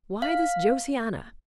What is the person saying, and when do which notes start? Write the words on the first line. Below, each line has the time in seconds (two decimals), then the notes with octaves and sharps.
Why this Josiana?
0.22 F5